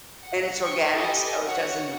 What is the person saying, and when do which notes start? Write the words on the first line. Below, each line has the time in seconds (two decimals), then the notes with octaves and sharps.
and it's organic so it doesn't, uh
0.24 F#5
0.59 G5 C#6 C#7
0.93 G4 A4 B4 D#5 G#5
1.44 F#4 C#5 F#5